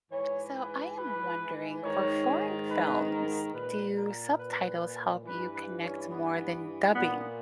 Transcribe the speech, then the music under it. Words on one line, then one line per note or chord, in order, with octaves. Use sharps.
So, I am wondering, for foreign films, do subtitles help you connect more than dubbing,
G#2 E3 C#5
B4
B4
G#2 D#3 C#5
B4
A#4
A#2 B4
A#4
B4
G2 E3 B4
B4
C#4
B3
A#2 B3